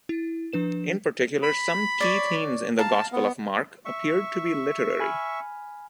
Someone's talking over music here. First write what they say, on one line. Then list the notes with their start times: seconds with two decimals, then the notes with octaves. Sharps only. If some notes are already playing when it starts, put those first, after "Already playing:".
In particular, some key themes in the Gospel of Mark appeared to be literary.
0.09 E4
0.53 F3 D4 B4 E7
1.43 B5
2.00 C#5 D5
2.79 F5 A5 A#5
3.12 B3
3.85 E5 C#6
5.00 G#5 B5 F6